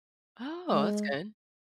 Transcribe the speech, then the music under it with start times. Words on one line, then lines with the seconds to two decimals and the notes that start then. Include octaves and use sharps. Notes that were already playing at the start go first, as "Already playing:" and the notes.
Oh, that's good.
0.70 G#3